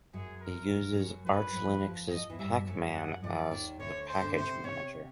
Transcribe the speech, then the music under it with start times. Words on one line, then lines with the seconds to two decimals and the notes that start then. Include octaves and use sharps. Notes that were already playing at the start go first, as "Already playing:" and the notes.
It uses Arch Linux's Pacman as the package manager.
0.13 F#2 F#3 G#4
0.41 A#4
0.98 F#2 F#3
1.26 F#2 F#3 B4
1.54 F2 F3
1.82 F2 F3
2.10 F2 F3 D#5
2.29 E2 E3
2.39 G2 G3 E5
2.67 F#2 F#3
2.96 F#5
3.23 F2 F3 D5
3.51 D#2 D#3
3.80 D2 D3 C#5
4.08 C5
4.22 D2 D3
4.37 C3 C5
4.64 C3 C#5